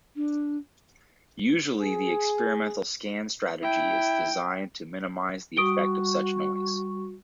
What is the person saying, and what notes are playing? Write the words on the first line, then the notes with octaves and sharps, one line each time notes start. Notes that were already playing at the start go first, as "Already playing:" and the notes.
Usually the experimental scan strategy is designed to minimize the effect of such noise.
D4
G#4
E4 G5
G3 F#4 C#6 D#6 D7 G7